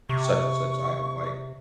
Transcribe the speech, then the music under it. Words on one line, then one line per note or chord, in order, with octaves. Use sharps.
such and such item," like,
C3 C#6